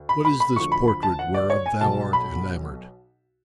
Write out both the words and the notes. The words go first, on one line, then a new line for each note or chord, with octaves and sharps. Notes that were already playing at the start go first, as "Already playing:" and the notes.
What is this portrait whereof thou art enamoured?
Already playing: D2
B5
B5
B5
D2 D3 F3 C#6
B5
B5
A5
F#5
D5
C#5
G#5
B1 B2 A5
B5